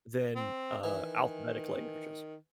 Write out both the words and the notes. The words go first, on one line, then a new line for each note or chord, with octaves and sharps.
then, uh, alphabetic languages.
C4
D#3 E3